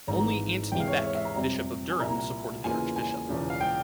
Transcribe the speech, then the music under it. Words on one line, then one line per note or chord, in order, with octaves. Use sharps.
Only Antony Bek, Bishop of Durham supported the archbishop.
G#1 G#2 E3 A#5
E2 C3 E3 G#3 G5
F5
C#5
E5
C#5
E5
A#5
F2 C3 G3 C4
G#5
C2 A#2 F3 A#3 E4 A#5
E2 C#3 E3 A#3 F4 G#5
G#5
E1 E2 C#3 F3
F5
G5